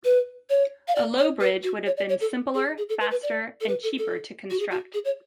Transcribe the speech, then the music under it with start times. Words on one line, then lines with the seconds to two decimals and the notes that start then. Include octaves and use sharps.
A low bridge would have been simpler, faster, and cheaper to construct.
0.05 B4
0.50 C#5
0.88 F5
0.95 D5
1.18 C#5
1.40 B4
1.63 F#4
1.86 C#5
1.97 D5
2.09 C#5
2.21 A4
2.54 G#4
2.78 G#4
2.89 A4
3.00 B4
3.11 B4
3.23 D5
3.61 A4
3.68 B4
3.83 A4
3.98 A4
4.50 F#4
4.60 G#4
4.71 F#4
4.94 G#4
5.05 C#5